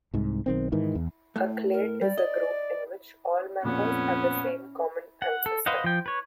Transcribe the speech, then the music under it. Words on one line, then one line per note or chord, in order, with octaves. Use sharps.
A clade is a group in which all members have the same common ancestor.
C2 G#2
B1 D#3 C4
G#2 D#3 E3
E2
A2 A3
A#4
G3 D5
D#5
F2 A#2 B3 C#4
F#5
A4
B4 C5 D#5 F5 F#5
F3 G5
B4 C#5